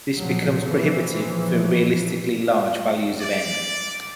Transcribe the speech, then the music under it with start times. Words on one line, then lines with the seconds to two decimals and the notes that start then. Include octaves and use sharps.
This becomes prohibitive for realistically large values of "n".
0.18 A#2 F3 F#3
0.65 A#2 E3 F3
3.21 D5